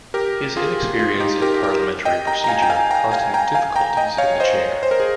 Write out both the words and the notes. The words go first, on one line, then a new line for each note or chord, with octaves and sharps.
His inexperience in parliamentary procedure caused him difficulties in the Chair.
G4 A#4
F4 G#4
F4
D#4 G4
G4 A#4
G4 A#4
D#5 G5
G5 A#5
A#5
F5 G#5
G5
F5 G#5
G5 A#5
F5 G#5
G5 A#5
F5 G#5
G5 A#5
D#5 G5
C#5 F5
C5 D#5
C5
A#4
G#4